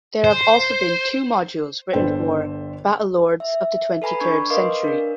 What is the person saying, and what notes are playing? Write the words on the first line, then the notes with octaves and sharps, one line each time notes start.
There have also been two modules written for "Battlelords of the Twenty-Third century".
C5
G1 D3 A4 B4 C5 G5
E5
A4 B4 G#5 A#5 B5
D4 C#6 G#6
A#4 B4 D#5 F5 C6 D6
D4 A#4